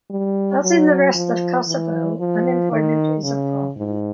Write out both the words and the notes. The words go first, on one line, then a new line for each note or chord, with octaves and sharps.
As in the rest of Kosovo, unemployment is a problem.
G3
F#3
F3
E3
F3
D#3
C#3
G#2